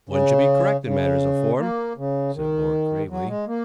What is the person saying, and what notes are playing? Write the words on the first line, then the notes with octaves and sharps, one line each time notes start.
"One should be correct in matters of form," said Borg gravely.
C#3
C#3
A#3
C#3
D#3
F#3
G#3
A#3